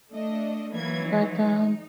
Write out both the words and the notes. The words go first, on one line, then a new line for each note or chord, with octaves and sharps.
but, um,
A3 D4 D#5
E3 F#3 A#3 B4 G#6
D#4